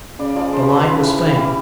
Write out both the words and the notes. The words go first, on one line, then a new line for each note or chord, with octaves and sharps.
The light was faint.
C#3 D5
F3 G#3 D5
C#3 C5
B4
F3 G#3 C5
B4
C#3
E3 G3
C#3
E3 G3